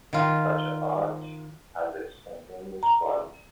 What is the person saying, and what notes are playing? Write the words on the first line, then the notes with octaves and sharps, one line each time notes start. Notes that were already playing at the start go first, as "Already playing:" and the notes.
Such art has a spontaneous quality.
D#3 F4
A#5